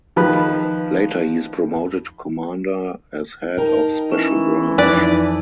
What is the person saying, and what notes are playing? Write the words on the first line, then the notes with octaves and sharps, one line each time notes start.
Later he is promoted to commander as Head of Special Branch.
D#3 F3 B4 B5
D#4 A#4 G5 A5
E3 C#4
F2 D#4 B4 D5